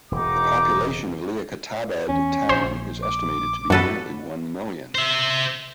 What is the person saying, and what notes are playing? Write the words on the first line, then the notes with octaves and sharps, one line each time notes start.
The population of Liaquatabad Town is estimated to be nearly one million.
E1 D#4 D6
E2 C#4
A#1 C5
D6
F#2 F#4 A4 B4
C5 E5